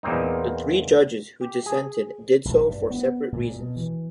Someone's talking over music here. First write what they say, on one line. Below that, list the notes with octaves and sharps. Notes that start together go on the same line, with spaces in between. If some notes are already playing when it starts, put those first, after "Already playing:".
The three judges who dissented did so for separate reasons.
E2 A#2 A#3 C4 D#4
G4
G#4
A#1
G2
B3
A#2
B2
E3